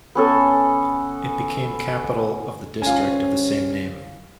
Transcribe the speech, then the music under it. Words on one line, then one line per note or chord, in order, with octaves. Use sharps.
It became capital of the district of the same name.
B3 C#4 A4 G#5
C2 C#4 F4 G#5